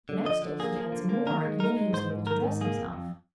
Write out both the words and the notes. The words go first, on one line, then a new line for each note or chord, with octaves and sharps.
The next day he had some more, and then he was able to dress himself.
D3
F3 D#5
D3
A#3 G#4
F3
D3
A#3
D#3 A#4
G#3
D#4 A#4
G#3
G#2 C5
G#2
D#3 A#4
G#2
A#3 G#4
F2
F2